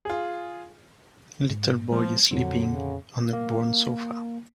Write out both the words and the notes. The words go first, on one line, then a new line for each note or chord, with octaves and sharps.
Little boy is sleeping on a brown sofa.
F4 G#4
G#2
F3 G#3 B3
F2 A#2 D3 F#3 C4
C#3
A#3